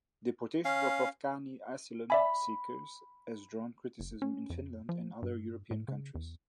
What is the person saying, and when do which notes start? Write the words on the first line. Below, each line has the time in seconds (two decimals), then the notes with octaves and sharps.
Deportations of Afghani asylum seekers has drawn criticism in Finland and other European countries.
0.65 C#4 F5
2.10 D5 E5 G#5 B5
4.00 F#1
4.22 C#4
4.50 F2
4.89 F3
5.22 G2
5.71 A2
5.88 C#3
6.15 E2